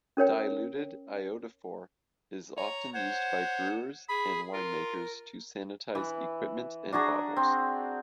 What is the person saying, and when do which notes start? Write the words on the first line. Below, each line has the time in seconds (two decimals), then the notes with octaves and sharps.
Diluted iodophor is often used by brewers and winemakers to sanitize equipment and bottles.
0.17 C#4 A#4 C#5 G5
2.57 C#5 A#5
2.94 C5 C#5 F#5
4.09 G#4 B5
4.53 F4 A#4
5.95 E3
6.92 D4 F#4 G#4 A#5
7.36 C4